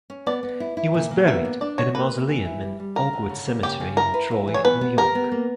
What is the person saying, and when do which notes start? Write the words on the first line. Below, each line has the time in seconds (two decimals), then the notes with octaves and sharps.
He was buried in a mausoleum in Oakwood Cemetery in Troy, New York.
0.10 C#4
0.27 B3 D5
0.43 B3
0.60 E4
0.77 E4
0.94 A#2
1.11 A#3
1.27 B3 E5
1.45 D4
1.61 D4 D5
1.78 F#4 C#5
1.95 A#3 B4
2.12 A#3
2.29 E3
2.45 E4
2.62 G3
2.80 G3
2.95 D4 A#4
3.13 D3
3.29 C#3
3.47 A#3
3.63 C#3 G4
3.80 C#3
3.97 E4 A#4
4.14 B4
4.31 E4
4.47 E3
4.54 C#5
4.65 B3 B4
4.81 B3
4.98 G4 A#4
5.15 B3
5.32 A#3